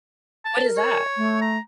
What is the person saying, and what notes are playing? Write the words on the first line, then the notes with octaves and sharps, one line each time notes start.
What is that?
A5
A#4
C#5
A3
A#5